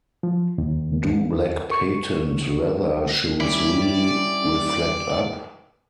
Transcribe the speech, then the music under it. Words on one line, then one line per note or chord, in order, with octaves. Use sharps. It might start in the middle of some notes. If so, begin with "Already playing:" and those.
Do Black Patent Leather Shoes Really Reflect Up?
F3
D#2
C#6
G3 C#4 E4 D5